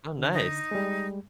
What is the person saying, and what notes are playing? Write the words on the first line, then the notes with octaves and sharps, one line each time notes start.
Oh, nice.
D3
D#4
G3 G#3